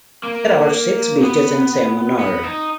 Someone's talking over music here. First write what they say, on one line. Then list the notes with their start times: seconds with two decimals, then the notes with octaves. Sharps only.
There are six beaches in Simunur.
0.23 A#3
1.21 B3
2.19 B3
2.44 D#4